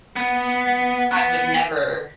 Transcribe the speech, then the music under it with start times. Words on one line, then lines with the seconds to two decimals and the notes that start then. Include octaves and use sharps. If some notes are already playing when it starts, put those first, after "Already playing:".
Mm, yeah, I would never
0.16 B3
1.11 B3